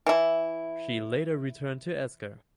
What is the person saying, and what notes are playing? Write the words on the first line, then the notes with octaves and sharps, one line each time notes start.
She later returned to Asker.
E3 E4